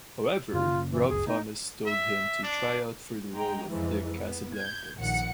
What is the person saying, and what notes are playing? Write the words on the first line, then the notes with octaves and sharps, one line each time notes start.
However, Rob Thomas told him to try out for the role of Dick Casablancas.
F#2 C#3 A#3 F4
E3
G1 C#2 F#2 G#4
A3 B3 D#4
E5
D4
G#3 G5 A#5
F2 G#2 E3 F3
B3
G6 G#6
A#1 D#2 F#5 C#7